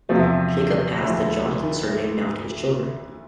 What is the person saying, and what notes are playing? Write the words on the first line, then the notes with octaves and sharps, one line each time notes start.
Jacob passed the Johnson surname down to his children.
E2 C3 F3 A3
D2 D3 F3 A3 E4